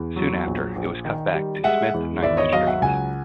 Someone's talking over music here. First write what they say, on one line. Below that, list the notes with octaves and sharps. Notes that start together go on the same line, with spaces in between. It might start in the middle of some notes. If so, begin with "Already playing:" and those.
Soon after, it was cut back to Smith-Ninth Streets.
Already playing: E2
F#3
A#1
A#1
D#3
G3
G#3 E5 F#5
E2
G#1 D5 E5
C#5 D#5
F#3 D#5 F5
E5 F#5
C#2 F#5 G#5